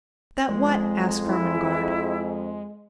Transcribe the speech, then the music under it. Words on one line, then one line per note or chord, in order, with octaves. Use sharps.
"That what?" asked Ermengarde.
F2 G#3
E4